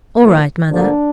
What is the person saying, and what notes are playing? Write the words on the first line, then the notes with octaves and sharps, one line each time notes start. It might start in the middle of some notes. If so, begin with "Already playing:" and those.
'All right, Mother.
A2 F3 A#3
G2 D3 F3 A#3 D4